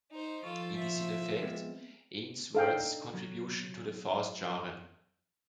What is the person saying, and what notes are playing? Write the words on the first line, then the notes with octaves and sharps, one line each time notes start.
It is in effect Ainsworth's contribution to the Faust genre.
D#4 C5
F3 F4 A4 C#6
E5
G#3 B3 C4
D4 D#4 A4 F5 G5
F#3